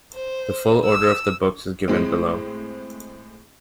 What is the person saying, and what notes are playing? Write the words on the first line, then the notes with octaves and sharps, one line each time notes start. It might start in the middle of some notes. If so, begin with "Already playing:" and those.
The full order of the books is given below.
C5
E6
A2 G#3 C4